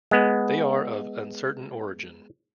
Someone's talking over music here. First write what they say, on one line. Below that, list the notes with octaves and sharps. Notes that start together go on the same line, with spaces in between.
They are of uncertain origin.
G#3 B3